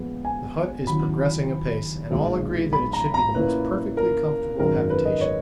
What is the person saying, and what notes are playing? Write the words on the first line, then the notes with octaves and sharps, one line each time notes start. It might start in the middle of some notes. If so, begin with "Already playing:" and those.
The hut is progressing apace, and all agree that it should be the most perfectly comfortable habitation.
Already playing: A#1 A#2 G#3 B3
G#5
D#2 C#3 F#3 C#4 E4 B5
B1 A#2 G#3
B5
A#5
A#5
A#2 A#3 C#4 E4 B4
A#4
G#1 F#2 D#3 G#3 A#4
B4
D#5
C#5